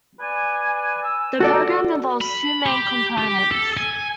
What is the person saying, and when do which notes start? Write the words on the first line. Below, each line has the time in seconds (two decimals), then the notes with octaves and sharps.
The program involves two main components.
0.20 B4 D5 G#5
1.03 E6
1.40 F#4 A4 D5
2.21 B5
2.66 G4
3.19 G4
3.52 A4
3.77 G#5